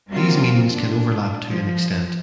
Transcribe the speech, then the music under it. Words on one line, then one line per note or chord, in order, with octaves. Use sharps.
These meanings can overlap to an extent.
F#3 G3 A#3 C4 F4
D4
F3